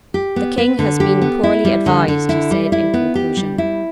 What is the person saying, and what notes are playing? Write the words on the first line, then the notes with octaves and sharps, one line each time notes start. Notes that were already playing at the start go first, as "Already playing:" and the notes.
"The King has been poorly advised," he said, in conclusion.
G4
B3
B4
D3
G4
B3
E4
G3
D3
D3
E4
G3
E4
B3
G4
G3
E4